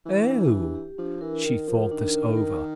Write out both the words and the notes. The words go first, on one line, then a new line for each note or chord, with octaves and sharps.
"Oh!" She thought this over.
E3 D4
D4
G4
G4
F3 D4
E3 A#4
D#3 A#4
F3 A#4
D#3 D4
A#4
A#4